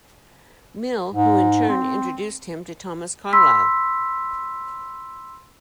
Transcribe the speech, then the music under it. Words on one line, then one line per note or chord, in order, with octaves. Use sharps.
Mill, who in turn introduced him to Thomas Carlyle.
G#2
C4
B5 C6 E6 B6